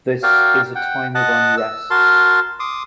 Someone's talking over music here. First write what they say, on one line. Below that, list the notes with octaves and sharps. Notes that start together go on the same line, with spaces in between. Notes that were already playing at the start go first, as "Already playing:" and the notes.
This is a time of unrest.
F#4 A#4 D5 F5 G5
F#5 G5
D#5 F#5 A5 F#6
E6
F#4 A#4 A5 C6
C6 D6 D#6